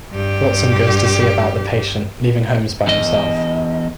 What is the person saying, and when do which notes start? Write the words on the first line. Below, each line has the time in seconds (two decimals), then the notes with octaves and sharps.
Watson goes to see about the patient, leaving Holmes by himself.
0.12 G2 G4
2.87 E2 D#5